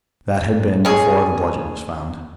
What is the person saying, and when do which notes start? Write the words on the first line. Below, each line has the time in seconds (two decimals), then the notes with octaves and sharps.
That had been before the bludgeon was found.
0.85 C#4 G#4